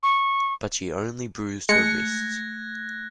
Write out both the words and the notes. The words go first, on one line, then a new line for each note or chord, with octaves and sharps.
But she only bruised her wrists.
C#6
G#3 A3 F#6 G#6 A#6 C#7